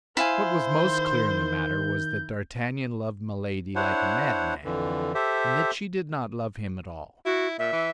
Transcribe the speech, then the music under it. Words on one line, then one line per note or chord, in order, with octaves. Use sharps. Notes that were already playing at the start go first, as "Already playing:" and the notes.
What was most clear in the matter was that d'Artagnan loved Milady like a madman, and that she did not love him at all.
E4 C5 F5 G#5
D#3 G6
D4 E4 C5 C#5 F#5
F2 D3 E3
G4 A4 C5 E5
E4 F#4
A#2 E5
E3